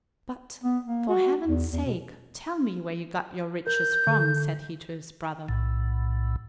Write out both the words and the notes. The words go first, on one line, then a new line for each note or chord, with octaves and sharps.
"But, for heaven's sake, tell me where you got your riches from," said he to his brother.
B3
A#3
F#4
E2
E2
B2
A#4 G6
D3 A4
B1 A2